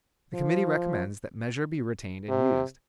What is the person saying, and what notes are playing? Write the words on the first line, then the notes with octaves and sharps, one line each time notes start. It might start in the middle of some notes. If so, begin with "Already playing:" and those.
The Committee recommends that Measure be retained and used.
F3
C3